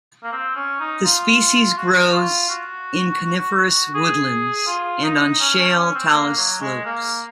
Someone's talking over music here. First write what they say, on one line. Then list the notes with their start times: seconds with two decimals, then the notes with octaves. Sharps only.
The species grows in coniferous woodlands and on shale talus slopes.
0.23 A#3
0.32 C4
0.56 C#4
0.80 D#4
1.05 F4
1.77 F#4
2.13 F4
2.49 F#4
3.94 G#4
4.67 F4
5.04 D#4
5.40 C#4
5.58 C#4
5.76 C#4
5.94 C4
6.13 A#3
6.37 F#3
6.61 G#3
6.85 A#3